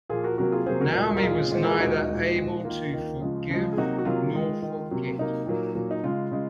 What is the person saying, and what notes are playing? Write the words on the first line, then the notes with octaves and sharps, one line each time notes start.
Naomi was neither able to forgive nor forget.
A#2 F3 A#3 F4 G#4
F#4 A#4
C3 F#3 A#3 F#4 A#4
F4 G#4
C3 F#3 A#3 G#4 C5
F#4 A#4
A#2 G#3
A#4
A#2 G#3 F4 G#4
A#2 G#3 C5
A#4
G#4
A#2 G#3 D#4 F#4
A#2 G#3
A#2 G#3
D#3 A#3 F4
D#3 A#3
C#3 F3 G#3
C#3 F3 G#3
G#4
C3 F#3 A#3 D#4 F#4
F#4
C3 F#3 A#3 F4
D#3 G#3
D#3 G#3
C3 F#3 A#3
C3 F#3 A#3 D#4
A#2 F#3 A#3
A#2 F#3 A#3
D#4
C#3 G#3 F4
C#3 G#3